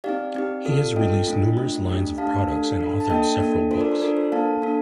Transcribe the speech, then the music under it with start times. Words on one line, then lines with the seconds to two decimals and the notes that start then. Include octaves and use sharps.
He has released numerous lines of products and authored several books.
0.04 C4 D#4 G4 D5 F5
0.35 C4 D#4 G4
0.65 C4 F4 A4
0.96 C4 F4 A4 D#5 G5
1.27 A3 D4 F4
1.57 A3 D4 F4
1.88 A3 D4 G4
2.18 A3 D4 G4 F5 A5
2.48 D4 A4
2.79 D4 A4
3.00 A5
3.10 A#3 D4 A4 D#5 G5
3.40 A#3 D4 A4
3.71 D4 F4 A4 C5
3.80 A#4 D5
3.92 C5
4.01 D4 F4 A4 A#4 D5
4.17 C5
4.32 A#3 D4 A4 F5 A5
4.62 A#3 D4 A4